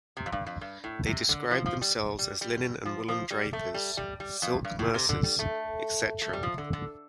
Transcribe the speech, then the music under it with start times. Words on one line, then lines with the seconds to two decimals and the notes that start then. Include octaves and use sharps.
They described themselves as 'Linen and Woollen Drapers, Silk Mercers etc..'.
0.17 C3
0.26 F2
0.32 G2
0.46 F2
0.61 G2
0.84 A2
1.07 C3
1.29 D3
1.51 F3
1.66 F3
1.82 G3
2.19 G3
2.41 G3
2.85 F3
3.08 F3
3.31 G3
3.53 A3
3.74 G3
3.97 G3
4.20 G3
4.42 F2
4.64 G2
4.79 A2
4.94 C3
5.09 D3
5.24 G3
5.39 A3
6.22 A3
6.33 G3
6.43 F3
6.58 D3
6.73 D3